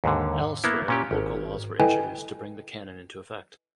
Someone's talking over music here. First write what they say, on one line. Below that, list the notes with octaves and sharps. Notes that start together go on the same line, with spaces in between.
Elsewhere, local laws were introduced to bring the canon into effect.
D#2 G#2 D3
A#3 B3 E4
A#2 C#4 G4
G#1
E4 A4 B4 D#5 G5 G#5